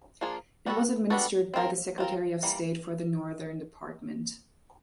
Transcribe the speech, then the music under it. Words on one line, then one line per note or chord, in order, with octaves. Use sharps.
It was administered by the Secretary of State for the Northern Department.
F3 A#3 D4 F4 G#4
G3 B3 D4 F#4 A4
G3 B3 D4 F#4 A4
C4 F4 A#4
C4 F4 A#4
E3 G3 A#3